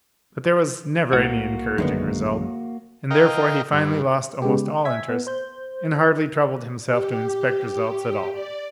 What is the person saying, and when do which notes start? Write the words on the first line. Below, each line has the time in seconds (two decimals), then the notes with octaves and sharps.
But there was never any encouraging result; and therefore he finally lost almost all interest, and hardly troubled himself to inspect results at all.
1.13 C2 A2 A#3 F#4
1.78 A#1 F#2 D3 D#3 G#3 B3
3.11 A#4 D#5 F5 G5
3.72 G2
4.42 C#3 G#3 B3 G4
4.85 E5 G#5 G#6 B6
5.10 B3
5.27 C5 G6
6.86 G4
8.31 D5